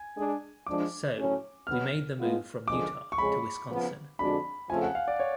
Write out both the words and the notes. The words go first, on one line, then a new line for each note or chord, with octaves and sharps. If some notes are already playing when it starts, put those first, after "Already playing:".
So, we made the move from Utah to Wisconsin.
Already playing: G#5
G#3 D4 G#4
F3 G#3 D4 D6
A2 F#3 C#4
B2 F#3 B3 F6
A2 G#3 B3 F4
F#2 D3 F3 G#3 D6
C#6
F2 C#3 G#3 C#4 G#4 B5
C#3 F3 B3
F2 D3 G#3 D4 F#4 B5
F2 C#3 F3 A3 F4 G#5
F#5
F5
D5
C#5